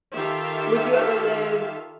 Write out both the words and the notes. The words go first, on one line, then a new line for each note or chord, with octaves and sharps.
Would you ever live
D#3 F4 G4 A4 E5 F5